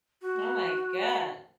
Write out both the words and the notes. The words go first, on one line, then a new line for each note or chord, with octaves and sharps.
Oh, my god.
F#4